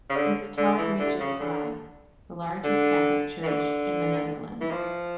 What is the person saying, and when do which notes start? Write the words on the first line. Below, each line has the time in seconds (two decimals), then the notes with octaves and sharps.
Its tower reaches high; the largest Catholic church in the Netherlands.
0.09 C#3
0.16 D3
0.57 D3
0.78 E3
0.98 D3
1.19 C#3
1.39 D3
2.64 D3
3.42 E3
3.47 D3
4.60 E3
4.71 F3